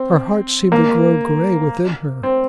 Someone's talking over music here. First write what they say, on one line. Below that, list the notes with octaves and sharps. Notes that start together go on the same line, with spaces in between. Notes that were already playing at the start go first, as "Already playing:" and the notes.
Her heart seemed to grow gray within her.
Already playing: C4
A#3
C4